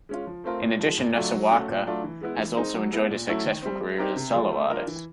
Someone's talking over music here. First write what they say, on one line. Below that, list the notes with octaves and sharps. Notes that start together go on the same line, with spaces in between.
In addition, Nosowska has also enjoyed a successful career as a solo artist.
G#3 C#4 F4
F3
A3 C4 F4 A#4
A#2
F3 G#3
A2
F#3 A3 D4 F4
F#3
A3 C#4 F#4
A#2
F#3 A3 D4 F4
E3
G#3 B3 E4
E3
G#3 C4 D#4
F#3
B3 E4 G#4
A#2
F#3 A3 C#4 E4
D#3
G3 C4
G#3
C4 D#4 G4 A#4
C3
F3 G#3
A3
D4 F4 A#4
E3